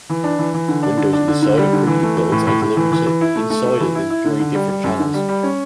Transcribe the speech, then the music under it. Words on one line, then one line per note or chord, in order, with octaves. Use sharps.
Windows Insider Preview builds are delivered to Insiders in three different channels.
E3
D4
E3
E3
D3
D4
D3
D4
D3
D3
G3
D3
E3
A3
E3
A2
A2
A2
E3
E3
E3
E4
A3
A3
A3
E3
E4
E4
D3
D3
G3
G3
F#2
D3
G3
G3
C#4